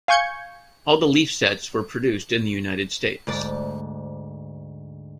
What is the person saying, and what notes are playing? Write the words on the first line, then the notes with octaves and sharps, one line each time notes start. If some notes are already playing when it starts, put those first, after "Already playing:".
All the Leaf sets were produced in the United States.
F5 G#5 C#6 G6 G#6 C#7
D2 G#2 D5